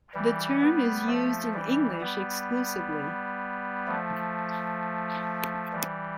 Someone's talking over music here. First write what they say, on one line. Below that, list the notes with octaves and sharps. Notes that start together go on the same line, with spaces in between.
The term is used in English exclusively.
E3 G3
G3 B3
F3 A3
E3 G3
G3 B3
F3 A3
E3 G3